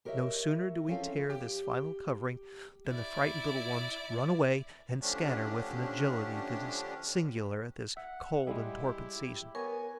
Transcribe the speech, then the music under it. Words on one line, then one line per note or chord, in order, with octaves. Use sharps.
No sooner do we tear this final covering than the frightened little ones run away and scatter with an agility that is singular at this cold and torpid season.
G4 A#4 C#5 D#5 E5
C4 C#4 F4 G#4 A4 F5
G4
E4 D5
D3 F3 A3 C#4 D4 G4
E5 F#5
G3 G#3 E4 G4
B3 A#4 C#5 G#5